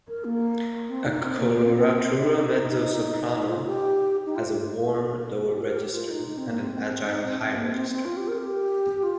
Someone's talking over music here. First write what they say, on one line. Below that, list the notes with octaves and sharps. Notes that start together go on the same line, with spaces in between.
A coloratura mezzo-soprano has a warm lower register and an agile high register.
A#4
A#3
C4
D#4
C4
A#3
A#3
C4
C4
D#4
F4
G4
D#4
F4
G4
A#4
G4
F4
D#4
D#4
C4
A#3
C4
D#4
C4
C4
A#3
C4
C4
F4
G4
A#4
G4
F4